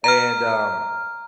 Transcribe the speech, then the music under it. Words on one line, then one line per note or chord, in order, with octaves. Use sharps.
And, um,
A#5 F6